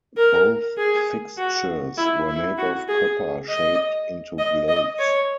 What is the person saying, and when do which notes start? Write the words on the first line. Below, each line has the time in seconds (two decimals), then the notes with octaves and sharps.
Both fixtures were made of copper shaped into globes.
0.17 A#4
0.78 G#4
1.38 F#4
1.97 E4
2.28 E4
2.58 F#4
2.88 G#4
3.49 D#5
4.38 D#5
4.68 D#5
4.99 C#5